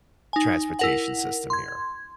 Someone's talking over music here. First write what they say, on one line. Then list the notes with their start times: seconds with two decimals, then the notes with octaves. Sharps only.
transportation system here.
0.33 D#4 G#5
0.79 E4 A#4 F#5
1.50 C6 G#6